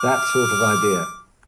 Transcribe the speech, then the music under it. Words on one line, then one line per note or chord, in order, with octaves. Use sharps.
That sort of idea.
D6 F6